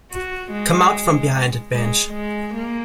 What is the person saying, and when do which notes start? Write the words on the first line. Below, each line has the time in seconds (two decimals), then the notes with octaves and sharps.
Come out from behind that bench.
0.11 F#4
0.52 G#3
1.73 G#3
2.13 G#3
2.54 A#3